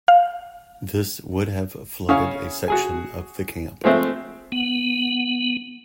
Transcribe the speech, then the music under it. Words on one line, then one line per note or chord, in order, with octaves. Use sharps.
This would have flooded a section of the camp.
F5
C#3 C#5 F5
F#4 G#4 G#5
F3 G#3 A3 C4
B3